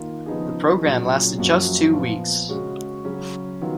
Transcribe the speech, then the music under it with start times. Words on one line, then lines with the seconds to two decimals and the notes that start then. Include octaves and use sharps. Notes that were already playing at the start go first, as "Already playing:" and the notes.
The programme lasted just two weeks.
Already playing: D#3 A#3 F4
0.26 C#3 F3 B3 D#4 G#4
0.82 A#2 F#3 C#4 G#4
1.38 F#2 F3 A#3 C#4 F#4
1.93 A#2 F3 B3 F4
2.49 C#3 G#3 C#4 F#4
3.05 C#3 F#3 C#4
3.61 D#3 F#3 B3 F4